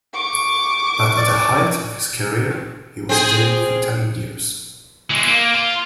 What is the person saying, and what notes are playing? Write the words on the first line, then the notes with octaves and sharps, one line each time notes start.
But at the height of his career, he was jailed for ten years.
C#6 D6
D5
C4 G#4
E3 G#3
A#3
F4